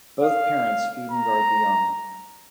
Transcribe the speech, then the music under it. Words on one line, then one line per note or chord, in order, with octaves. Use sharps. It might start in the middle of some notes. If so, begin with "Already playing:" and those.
Both parents feed and guard the young.
F5
A#5